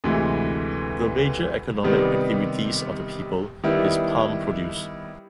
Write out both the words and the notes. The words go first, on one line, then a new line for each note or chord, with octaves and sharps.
The major economic activities of the people is palm produce.
D2 C3 E3 G#3
C3 D#3 G3 B3
D#3 G3 B3 E4